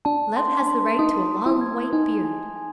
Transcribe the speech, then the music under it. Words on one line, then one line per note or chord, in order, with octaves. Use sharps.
Love has the right to a long white beard.
D4 A5
C6
C6
D#4 D#6
D#6
E4
G#6
D#4 G#5
G#5
G#5